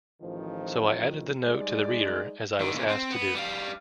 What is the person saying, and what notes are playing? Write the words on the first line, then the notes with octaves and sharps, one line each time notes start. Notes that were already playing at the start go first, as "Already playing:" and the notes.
So I added the note to the reader as I was asked to do.
A1 D#3 F3
G3 G#3 D#4 G#4 D5
D3 D#3
A#2 C#3
C4
B3
G3 F5